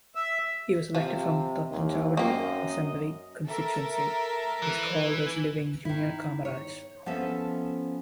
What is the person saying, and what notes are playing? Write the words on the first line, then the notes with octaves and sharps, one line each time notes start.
He was elected from Thattanchavady assembly constituency.He is called as living Junior Kamaraj.
E5
C3 F3
D#2
F#2 A#3 C4 D#5
A4 A#4 E5
E3
D#3 E4
C#5
F3 B3 C#4 F4 A4 E5